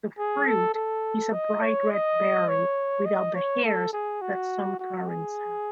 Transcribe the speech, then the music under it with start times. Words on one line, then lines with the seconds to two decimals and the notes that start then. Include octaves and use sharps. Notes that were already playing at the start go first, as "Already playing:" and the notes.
The fruit is a bright red berry, without the hairs that some currants have.
0.18 G#4
0.47 A4
0.74 A4
1.33 D#5
1.62 C#5
1.91 D#5
2.49 C#5
3.05 D#5
3.34 C#5
3.64 A4
3.93 G#4
4.21 F#4
4.79 F#4
5.08 G#4